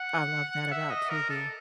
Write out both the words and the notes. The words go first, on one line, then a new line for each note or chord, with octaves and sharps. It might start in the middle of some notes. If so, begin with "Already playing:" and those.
I love that, about Tubi.
Already playing: F#5
E5
D#5
A#4
A4